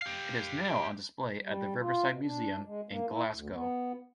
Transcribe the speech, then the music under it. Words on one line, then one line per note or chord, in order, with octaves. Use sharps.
It is now on display at the Riverside Museum in Glasgow.
G4 F5
G3
F4
B2
D4
G#3
A#3
E4
D2
B3